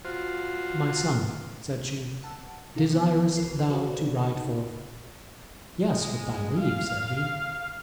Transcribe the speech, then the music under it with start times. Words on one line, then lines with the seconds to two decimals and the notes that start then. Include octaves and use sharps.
"My son," said she, "desirest thou to ride forth?" "Yes, with thy leave," said he.
0.05 F4 F#4 C5
2.23 F#5 A5 E6
2.75 C3 D#4 A4 F5 A#6
2.88 F3 B3
3.37 B1 E3 A#4 C7
3.70 F#4 A4 B4 C5 D5
4.15 C#3 D#4
5.86 G#3
6.61 F5